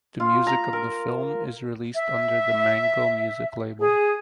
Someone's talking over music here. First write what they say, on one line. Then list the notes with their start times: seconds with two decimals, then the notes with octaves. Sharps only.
The music of the film is released under the Mango Music label.
0.20 F4
0.47 A#5
0.73 A#4
1.94 E5
3.79 G#4